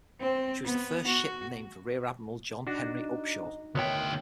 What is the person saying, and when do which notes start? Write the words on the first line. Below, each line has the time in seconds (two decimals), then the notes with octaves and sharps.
She was the first ship named for Rear Admiral John Henry Upshur.
0.20 C4 C5
0.64 B3
1.07 F#4
2.67 D4 D#4 F#4
3.75 D2 D#3 B3 C#5 E5 G5